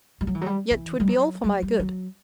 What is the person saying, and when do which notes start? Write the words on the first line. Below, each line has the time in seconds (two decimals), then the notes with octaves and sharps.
Yet 'twould be all for my good.
0.21 G3
0.27 F#3
0.35 E3
0.41 F#3
0.46 G3
0.71 E3
1.00 G3
1.08 F#3
1.44 G3
1.62 G3
1.79 F#3